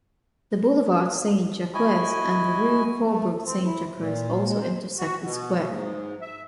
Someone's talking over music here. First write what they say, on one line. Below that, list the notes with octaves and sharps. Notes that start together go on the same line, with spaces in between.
The "Boulevard Saint-Jacques" and the "Rue Faubourg Saint-Jacques" also intersect the square.
E4 F#4 D#5 G#5
A3
C4
E4
A#2
G#3
C5
F#4
B2
G#2
E5